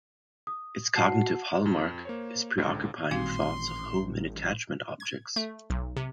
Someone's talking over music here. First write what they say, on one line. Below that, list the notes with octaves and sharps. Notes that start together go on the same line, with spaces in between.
Its cognitive hallmark is preoccupying thoughts of home and attachment objects.
D#6
F#4 F#5 A5 C7
F2
A#3 C5 C#5
G#1 C#2 D3
A1 A#2 D#3 G3 C4 F#4 F5 C6
G#6
A3
B1
C3